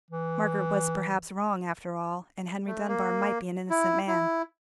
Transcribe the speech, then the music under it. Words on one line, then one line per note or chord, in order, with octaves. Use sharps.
Margaret was, perhaps, wrong, after all, and Henry Dunbar might be an innocent man.
E3
A3
A#3
E4
E4